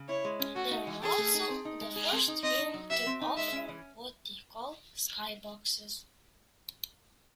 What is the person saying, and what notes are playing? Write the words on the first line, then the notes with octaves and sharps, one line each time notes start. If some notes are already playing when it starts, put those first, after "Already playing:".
They are also the first room to offer what they call "SkyBoxes".
Already playing: C#3
E4 C#5
G#3
C#4
A3 F#4
D#4
E3
G#4 A4
A3
D#4
C4
D#4
G#3
G#4
C4
D#4
C4 D#5
D#4
F#3
F#4 E5
C4
D#4
G#3 E5
C#4
E3